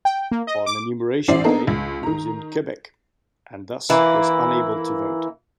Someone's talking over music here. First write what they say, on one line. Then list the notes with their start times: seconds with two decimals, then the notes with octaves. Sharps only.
On enumeration day he was in Quebec and thus was unable to vote.
0.05 G5
0.31 A#3
0.47 D#5
0.66 D6
1.28 A1 C#4 E4 C5 D5 C7
1.44 A#3 B3 D4 D#4 A4 A#4
1.67 C#2
2.03 D#3 A#5
3.89 E3 A#3 E4